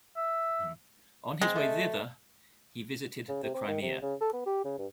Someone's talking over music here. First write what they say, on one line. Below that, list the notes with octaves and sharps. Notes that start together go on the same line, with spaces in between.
On his way thither he visited the Crimea.
E5
G#3 C4
A3
C#3
C3
C4
D#3
C3
C#3
A4
B3
G4
C#3
G2